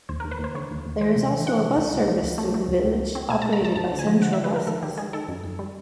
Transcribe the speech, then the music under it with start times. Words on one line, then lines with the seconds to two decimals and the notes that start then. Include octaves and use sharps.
There is also a bus service through the village, operated by Central Buses.
0.09 D#2 C5
0.20 A#4
0.25 D#2
0.31 B4
0.39 D#2 C5
0.54 D3 C#5
0.71 D#2
0.86 D#2
1.01 E3 C5
1.16 C3
1.31 E3
1.46 E3 F#5
1.62 C3
1.77 C2
1.92 C#2
2.08 F3
2.23 C#2
2.38 A3
2.54 A3
2.68 C#2
2.84 C#2
2.99 C#2
3.15 C4
3.29 B2 G#5
3.42 A5
3.46 G#3
3.53 A#5
3.61 C#2 A5
3.76 G2 A5
3.91 D3
3.99 G#5
4.07 F3
4.21 D3 F#5
4.33 E5
4.37 D3
4.44 B4
4.52 F3 A#4
4.67 D#3 A4
4.83 D#3 G4
4.98 G#3 G#4
5.13 D#3 A4
5.28 F#2
5.44 F#2
5.59 G3